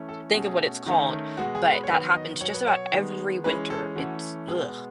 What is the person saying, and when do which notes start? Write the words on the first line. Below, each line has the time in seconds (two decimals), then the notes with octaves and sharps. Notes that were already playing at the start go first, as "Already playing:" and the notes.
think of what it's called, but that happens just about every winter. It's blegh.
Already playing: E3 A3 C#4
0.09 A4
0.34 B2 A3 C#4 G#4
0.86 D#3 A3 C#4
1.37 B2 G#3 B3 F#4
1.55 G#4
1.72 B4
1.84 C#5
1.89 D#3 F#3 B3 B4
2.15 D#5
2.41 B2 F#3 B3 C#5
2.54 B4
2.67 C#5
2.92 D#3 G#3 B3
3.44 E3 G#3 C#4 B4
3.70 A4
3.95 E3 A3 C#4 F#4
4.48 B2 G#3 B3 G#4